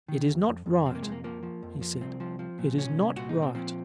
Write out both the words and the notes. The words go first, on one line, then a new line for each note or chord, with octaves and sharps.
"It is not right," he said; "it is not right."
D#3
D#2
F2
F2
C3 C4
A#3
F2 G#3
A#3
F3 A#3
F3
F2
F3
C2 C4
F3
F3
A#2
C2 C#4
C2
A#2 F#4
D#4
A#2
C4
F3 C4